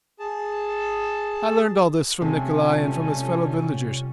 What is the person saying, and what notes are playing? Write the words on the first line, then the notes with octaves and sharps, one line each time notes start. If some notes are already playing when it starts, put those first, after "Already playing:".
I learnt all this from Nikolay and from his fellow villagers.
G#4 A5
C3 G3 A3 C#4 F4 G#5